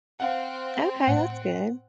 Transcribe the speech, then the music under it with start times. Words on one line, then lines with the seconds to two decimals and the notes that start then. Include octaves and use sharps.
Okay, that's good.
0.20 C4 F5 F#5
1.07 A2 F#5